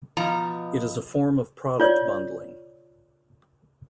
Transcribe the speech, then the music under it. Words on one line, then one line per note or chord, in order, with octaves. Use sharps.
It is a form of product bundling.
B2 F3 A#5
F4 C#5 D5